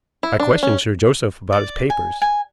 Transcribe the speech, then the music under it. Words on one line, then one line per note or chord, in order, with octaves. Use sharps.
I questioned Sir Joseph about his papers.
E4
D4
C#4
D5
G#5
G#5